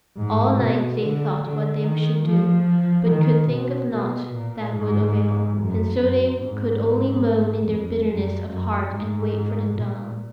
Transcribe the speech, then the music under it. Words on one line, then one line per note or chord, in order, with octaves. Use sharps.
All night they thought what they should do, but could think of nought that would avail, and so they could only moan in their bitterness of heart and wait for the dawn.
G#2
B2
D3
D3
D#3
F3
D#3
B2
B2
A#2
G#2
F#2
F#2
G#2
F2
F#2
F#2
G#2
A#2